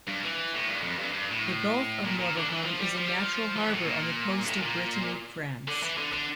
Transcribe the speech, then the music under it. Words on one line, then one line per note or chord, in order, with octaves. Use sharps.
The Gulf of Morbihan is a natural harbour on the coast of Brittany, France.
G2
E3
A2
G2
F2
G2
G2
A2
A#2
A#2
D3
E3
F3
G3
F3
G3
F3
E3
A2
A#2
G2
A2
A#2
D3
E3
D3
D3